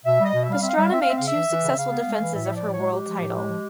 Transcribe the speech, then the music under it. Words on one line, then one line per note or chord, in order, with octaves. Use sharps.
Pastrana made two successful defenses of her world title.
B2 E5
G3
D#5
B2
E5
G3 F5
C4 E5
F5
G3 E5
F5
C4 E5
F5
C4 E5
C#3 F5
E5
E3
E3
C#3
C#3 F5
B3
G#3
E3
A2 E5
C#5
F3
D5
A2
G#3 C#5
G#3 G4
F3
A2
G#3
F3